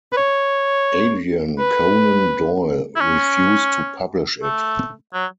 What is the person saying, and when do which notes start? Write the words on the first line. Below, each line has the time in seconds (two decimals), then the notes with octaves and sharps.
Adrian Conan Doyle refused to publish it.
0.13 B4
0.17 C#5
1.59 B4
2.96 E4
3.00 C#4
4.43 A3
5.14 F#3